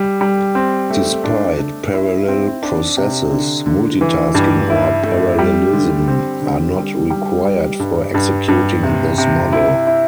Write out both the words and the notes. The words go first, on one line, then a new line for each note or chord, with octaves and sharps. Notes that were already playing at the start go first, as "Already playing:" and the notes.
Despite parallel processes, multitasking or parallelism are not required for executing this model.
Already playing: G3
G3
C4
A3
D4
D4
E4
C4
D4
C3
D3
D3
E3
G2
E4
A3
G3
D3
C4
D3
G3
G3
G3
G2
G2
G2
C3
C3
E4
E4